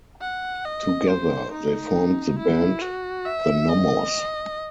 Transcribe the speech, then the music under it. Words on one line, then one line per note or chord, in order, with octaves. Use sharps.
Together they formed the band "the Nommos".
F#5
D#5
C5
D#4
E4
F#4
E5
D#5